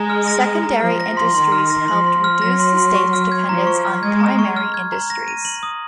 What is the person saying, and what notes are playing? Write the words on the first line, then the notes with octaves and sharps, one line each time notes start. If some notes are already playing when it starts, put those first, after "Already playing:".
Secondary industries helped reduce the state's dependence on primary industries.
Already playing: G#3 A#5
F6
A#6
A#5
A#5
F3 F6
A#6
C6
D#3 C6
F6
A#6
F3 C6
C6
F6
F#3 A#6
C6
C6
C#6
F6
G#6
F3 A#5
C#6
F6
G#3 G#6
A#5
C#6
F6
G#6
A#5
A#6
D#7
F#7
D#6